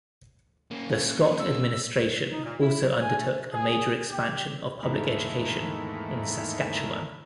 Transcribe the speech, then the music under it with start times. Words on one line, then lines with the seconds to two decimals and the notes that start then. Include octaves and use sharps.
The Scott administration also undertook a major expansion of public education in Saskatchewan.
0.71 A#3 C#4
1.39 E6
2.31 D#4
2.44 A#2
2.61 E4
2.81 F#3
3.00 G#5
3.18 A3
3.52 G#4
4.09 G4
4.83 E2 G#2 D#3 A3 A#3 E4